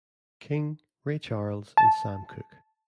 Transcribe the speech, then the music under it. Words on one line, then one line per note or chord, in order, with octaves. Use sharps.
King, Ray Charles and Sam Cooke.
A5